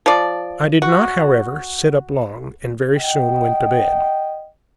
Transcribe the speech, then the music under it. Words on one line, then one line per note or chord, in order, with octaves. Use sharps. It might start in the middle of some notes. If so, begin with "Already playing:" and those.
I did not, however, sit up long, and very soon went to bed.
F3 D5
F#4
D#5 F#5 G5